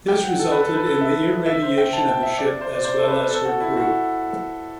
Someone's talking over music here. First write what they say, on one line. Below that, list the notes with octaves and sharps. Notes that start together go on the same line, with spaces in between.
This resulted in the irradiation of the ship as well as her crew.
G5
F#5
A4
B4
A4
B4
A4
E5
E5
C5
G5
A5
G5
E5
D5
C5
D5
C5
A4
B4
A4
F#4
E4
F#4